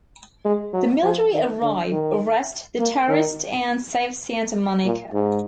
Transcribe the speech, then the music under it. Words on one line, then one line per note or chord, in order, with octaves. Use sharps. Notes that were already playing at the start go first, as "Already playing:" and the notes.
The military arrive, arrest the terrorists and save Santa Monica.
G#3
F#3
F3
D#3
D3
D#3
A#3
D#3
A#2
G#2